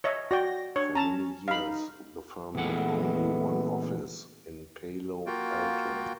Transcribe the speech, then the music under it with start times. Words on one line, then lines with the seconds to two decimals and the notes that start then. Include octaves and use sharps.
For many years, the firm had only one office, in Palo Alto.
0.04 C#5 D#5 E5
0.31 F#4 D5 G5 A#6
0.76 D4 C#5
0.95 C#4 A5 A#5
1.48 D#4 F5 B5
2.55 A#2 E3 G#3 A3 B3 F#5
5.26 A#3 F4 F#4 G5